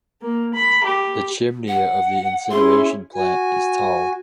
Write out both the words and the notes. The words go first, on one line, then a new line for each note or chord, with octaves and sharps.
The chimney of the incineration plant is tall.
A#3
B5
G4
F#5
C#4 E4 G#4 C6
F#4 G#5